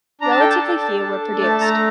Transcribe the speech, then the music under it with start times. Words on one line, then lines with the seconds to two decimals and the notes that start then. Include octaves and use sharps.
Relatively few were produced.
0.21 D4 A#5
0.31 A5
0.40 A4 G5
0.50 A5
0.60 A4
0.81 D4
1.00 D4
1.20 A4
1.39 A3 A5
1.60 A3 A#5